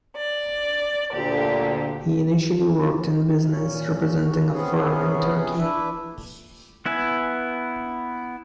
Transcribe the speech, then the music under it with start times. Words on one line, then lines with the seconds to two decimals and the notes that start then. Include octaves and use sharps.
He initially worked in business, representing a firm in Turkey.
0.16 D5
1.13 D2 A#2 D3 G4
3.37 C3
3.51 A#2 C#4
4.24 F#4
4.53 C3 B3 C#4 G#4
5.59 D4 E4 B4 E5
6.86 B3 E4 B4 G#5